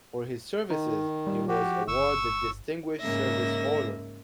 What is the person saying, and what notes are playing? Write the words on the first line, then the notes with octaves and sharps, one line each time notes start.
For his services, he was awarded the Distinguished Service Order.
D#3 D#4
G3
F3 F#4 G4
G1 C#6 E6
G#2 C#3 A#3 E5 A#6